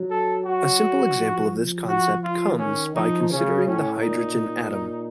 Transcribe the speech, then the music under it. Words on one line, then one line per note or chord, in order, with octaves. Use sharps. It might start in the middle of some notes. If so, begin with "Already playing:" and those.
A simple example of this concept comes by considering the hydrogen atom.
Already playing: F#3
A4
F#4
F3
F#4
F4
D#3 C#4
F3 D#4
C#3 C#4
A2 C#4
A#2 D#4